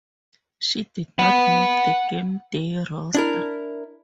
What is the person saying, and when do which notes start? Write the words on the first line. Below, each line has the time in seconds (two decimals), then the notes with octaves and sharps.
She did not make the gameday roster.
1.19 F#5 B5
3.15 D4 E4 A#4